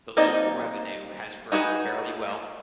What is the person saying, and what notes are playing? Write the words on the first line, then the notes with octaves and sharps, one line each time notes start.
The local revenue has grown fairly well.
A#3 C4 D#4 D5 D#5
D#4 F#4 G#4 B4